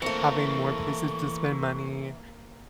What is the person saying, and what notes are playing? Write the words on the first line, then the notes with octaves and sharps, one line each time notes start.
having more places to spend money,
E3 A3 A#3 C4 A#4 C#6 C#7